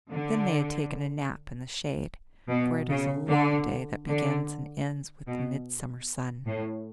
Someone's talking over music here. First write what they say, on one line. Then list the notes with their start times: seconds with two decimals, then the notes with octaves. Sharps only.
Then they had taken a nap in the shade, for it is a long day that begins and ends with the midsummer sun.
0.10 D3
2.49 B2
2.89 C#3
3.28 D3
4.08 D3
5.27 B2
6.46 A2